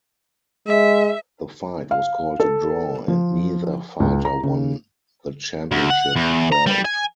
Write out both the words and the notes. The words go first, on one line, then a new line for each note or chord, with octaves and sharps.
The fight was called a draw and neither fighter won the championship belt.
G#3 E5
F5
A4
F3
C#2
A#5
C#3
D2
F#5
E2
A#5
G3
G#5